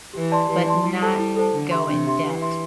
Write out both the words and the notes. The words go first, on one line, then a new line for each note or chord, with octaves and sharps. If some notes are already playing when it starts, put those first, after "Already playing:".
but not go in debt
E3 G4
D5 A5 C6
E3 G4
D5 A5 C6
G3 E4
A4 C5 A5
E4
A4 C5 A5
D3 D4
G4 E5 C6
C3 D4
G4 E5 C6
E3 G4
E5 C6